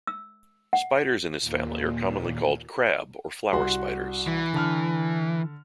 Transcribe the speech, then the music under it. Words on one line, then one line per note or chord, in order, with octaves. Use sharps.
Spiders in this family are commonly called "crab" or "flower" spiders.
E6
F#5
D#2 A#2
C2 F#4 C6
E3
D3 A5 F6